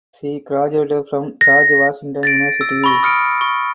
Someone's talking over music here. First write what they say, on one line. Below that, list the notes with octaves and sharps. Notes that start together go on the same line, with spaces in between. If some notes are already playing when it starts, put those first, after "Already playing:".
She graduated from George Washington University.
A#6
A6 A#6 D7
E6
B5 C#6 A#6
D#6 F6 C#7 D7
C#6